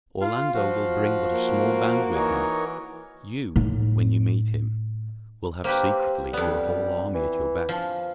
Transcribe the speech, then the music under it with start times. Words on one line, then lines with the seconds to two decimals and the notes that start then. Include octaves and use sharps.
Orlando will bring but a small band with him: you, when you meet him, will have secretly your whole army at your back.
0.21 F4 F5
0.55 F3 F#4
1.33 A#3
2.14 E3 D#4 A#4 C#5
3.56 A2 D#4
5.64 A#3 C4 G4 B4
6.33 F2 G3 B3
7.14 E3
7.69 F3